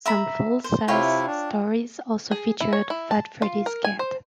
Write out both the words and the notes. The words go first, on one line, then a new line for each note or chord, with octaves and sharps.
Some full-size stories also featured Fat Freddy's Cat.
E5 A#5 B5
C5
C3 E4 F4 C#5 G5
D4
G#4
E4
C#5
E4
A5
F4
A#4
G#5
C5